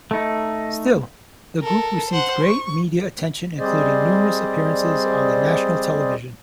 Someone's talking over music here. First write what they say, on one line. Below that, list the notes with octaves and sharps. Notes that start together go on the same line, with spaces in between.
Still, the group received great media attention including numerous appearances on the national television.
A3 D#4
A4 A#4
C5 F#5
C#6
G3 C4 G#4 C5 D5 D#5